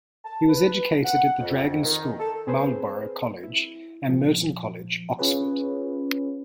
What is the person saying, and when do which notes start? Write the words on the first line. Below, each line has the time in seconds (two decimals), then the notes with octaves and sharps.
He was educated at the Dragon School, Marlborough College, and Merton College, Oxford.
0.25 A5
0.49 B4
1.04 F#5
1.39 F2
1.83 D#3
2.20 A4
2.47 C4 G#4 B4 C5
3.44 E4
4.08 A#2 F3
5.19 C#4 F4 G#4 B4 C#5